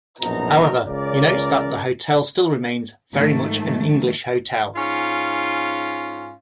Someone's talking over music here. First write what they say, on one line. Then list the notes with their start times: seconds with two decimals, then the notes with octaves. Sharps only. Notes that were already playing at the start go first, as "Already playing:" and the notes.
However, he notes that the hotel still remains "very much an English hotel".
0.22 A#1 F#2 B2 D#4 A#5
0.87 C#2 C#3 C#4 A#4 D5
3.11 G#2 D#3 F3 A3
4.75 G#2 C#4 F4